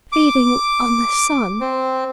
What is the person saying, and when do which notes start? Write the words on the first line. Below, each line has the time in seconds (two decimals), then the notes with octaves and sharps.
"Feeding on the sun!"
0.12 D6
1.61 C4